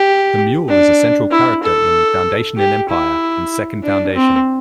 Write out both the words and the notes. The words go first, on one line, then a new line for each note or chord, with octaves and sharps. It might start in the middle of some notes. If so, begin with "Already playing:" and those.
The Mule is a central character in "Foundation and Empire" and "Second Foundation".
Already playing: G4
D4
E4
A4
G4
E4
D4
C4